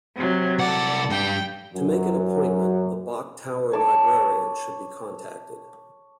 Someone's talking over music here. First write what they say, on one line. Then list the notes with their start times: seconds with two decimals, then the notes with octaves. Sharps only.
To make an appointment the Bok Tower Librarian should be contacted.
0.16 C3 F#3
0.59 C2 A4 D5 F#5
1.10 G2 G3 G5
1.74 F#2 F#3
3.72 C#5 A5 D6